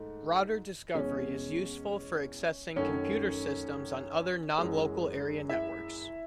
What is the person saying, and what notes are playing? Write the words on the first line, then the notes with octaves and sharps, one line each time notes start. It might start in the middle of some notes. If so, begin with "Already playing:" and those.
Router discovery is useful for accessing computer systems on other nonlocal area networks.
Already playing: G#2 A3
E2 B2 G#3 C#4 C#5
F#2 D#3 A3 C#4 C#5
F#2 E3 G#3
E4 E5